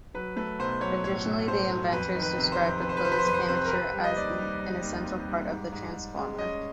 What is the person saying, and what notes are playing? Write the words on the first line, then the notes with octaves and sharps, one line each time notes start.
Additionally, the inventors described the closed armature as an essential part of the transformer.
F#3 B4
A3 B4
B1 C5
F#3 C#5
A2 C#5
A2
A3 C5
F#3
F2 B4
D#3
B4
C3
C5
F2
F2 B4
C5
B4
C3 C5
B4
C5
F2 B4
C5
B4
C3 C5
B4
A#4
C4 B4
G3
D#5
D#2 D5
G3
G3
D#2
C4
G3
G#2
G#2
G#2
G#3
C#4 D#5